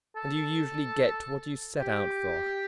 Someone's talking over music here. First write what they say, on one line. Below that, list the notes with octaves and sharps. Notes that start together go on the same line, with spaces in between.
And you usually get what you set out for.
A4
G4